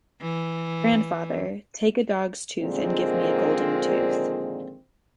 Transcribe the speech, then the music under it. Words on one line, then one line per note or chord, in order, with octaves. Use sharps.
Grandfather, take a dog's tooth and give me a golden tooth.
E3
A#2 D3 D#3 F3 G#3 C4